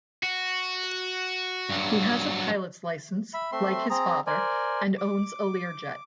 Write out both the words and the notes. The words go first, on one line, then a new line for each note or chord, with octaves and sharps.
He has a pilot's license, like his father, and owns a Learjet.
F#4
G2 F#3
E5 B5
A3 C4 E5 C6
C4 G#4 A#5
A#4 C5 D5 G#5
D6